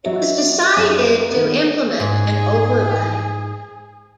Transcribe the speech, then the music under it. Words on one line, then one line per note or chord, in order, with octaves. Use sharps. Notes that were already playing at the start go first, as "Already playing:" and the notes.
It was decided to implement an overlay.
F#3 D#5 E5
F#2
D#3 B3
G#2 G#4